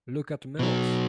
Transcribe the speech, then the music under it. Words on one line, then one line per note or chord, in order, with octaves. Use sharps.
Look at Mills!
B2 F#3